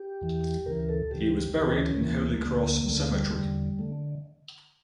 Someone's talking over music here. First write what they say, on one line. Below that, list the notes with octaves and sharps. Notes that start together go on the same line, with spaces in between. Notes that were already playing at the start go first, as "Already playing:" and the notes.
He was buried in Holy Cross Cemetery.
Already playing: G4
E2 E3
D2 C#3 E3 A#4
A4
D2 C#3 E3 G4
D2 C#3 E3 G4
D4
C#4
D2 C#3 E3 A#3
A3
D2 D3 A#3
G3
D2 D3 A3
A3
G3
A3
E2 D3 G3
D3 A3